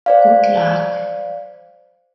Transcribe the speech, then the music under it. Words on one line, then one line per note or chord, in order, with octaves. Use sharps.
Good luck?
C5 D5 F5